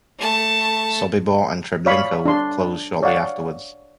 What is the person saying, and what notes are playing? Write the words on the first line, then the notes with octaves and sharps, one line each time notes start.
Sobibor and Treblinka were closed shortly afterwards.
A3 A5
C#5 D5 F5 B5 C#6
D4 C6
C#5 D5 F5 F#5